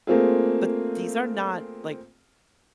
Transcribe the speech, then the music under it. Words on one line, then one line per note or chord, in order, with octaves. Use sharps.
but these are not, like"
A3 A#3 C4 F4 G#4